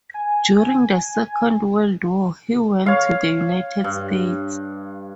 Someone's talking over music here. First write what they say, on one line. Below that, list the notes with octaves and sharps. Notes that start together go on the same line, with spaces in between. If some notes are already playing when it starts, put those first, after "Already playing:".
During the Second World War, he went to the United States.
G#5
C#5 F5
G2